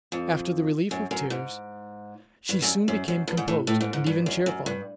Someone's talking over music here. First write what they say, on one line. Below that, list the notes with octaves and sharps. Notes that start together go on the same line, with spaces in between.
After the relief of tears, she soon became composed, and even cheerful.
F2
F#2
F#2
G#2
G2
F#2
F#2
F#2
G2
G#2
A2
A2
G#2
G#2
G2
F#2
F#2
G2